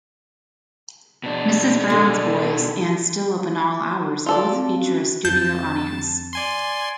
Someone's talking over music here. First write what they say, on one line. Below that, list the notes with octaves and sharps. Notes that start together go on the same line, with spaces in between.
"Mrs Brown's Boys" and "Still Open All Hours" both feature a studio audience.
B2 D4
D3
F4 A4 D5
C4 F5
C#4 F#4
F2 A5 G6
D5 G#5 C6